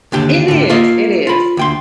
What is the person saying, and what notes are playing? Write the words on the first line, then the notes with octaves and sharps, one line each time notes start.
It is, it is.
D#2 D3 G4
A2 D3
A#3 F4 A#4 D#5
F4 B5
D2 G5 C6